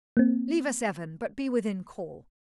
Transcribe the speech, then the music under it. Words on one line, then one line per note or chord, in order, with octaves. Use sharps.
Leave us, Evan, but be within call.'
A#3 C4